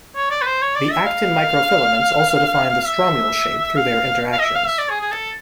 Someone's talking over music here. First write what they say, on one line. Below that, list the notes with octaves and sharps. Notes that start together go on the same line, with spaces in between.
The actin microfilaments also define the stromule shape through their interactions.
C#5
D5
B4
C5
C#5
D5
E5
F5
E5
F5
F5
D#5
E5
F5
E5
D5
G#4
G#4
A4